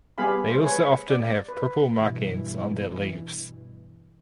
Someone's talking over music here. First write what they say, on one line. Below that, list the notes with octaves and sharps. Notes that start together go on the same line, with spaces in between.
They also often have purple markings on their leaves.
G3 B3 G4 G#4 F5 B5
A3 C5
G#4 B4 C#5
D5
B4
G2 B2 E3